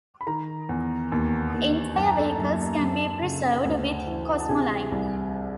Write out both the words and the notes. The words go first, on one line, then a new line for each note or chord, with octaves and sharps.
Entire vehicles can be preserved with cosmoline.
B5
D#3 A#4 A#5
E2
D#2
D#2
F#2 A5
A#5
A4 A5
F#2
F#2
C#3
D2
E3
A5
C3 G#4 G#5
C2